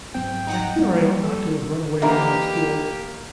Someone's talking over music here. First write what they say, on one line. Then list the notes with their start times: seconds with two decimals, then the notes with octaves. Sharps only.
I fear I ought not to have run away from that school!
0.15 G#2 F#3 B3 C4 G5
0.47 D#4 F#5 A#5
0.78 G3 A#3
1.23 A4
2.02 D3 E3 A#3 D#4 G4 A#4 B4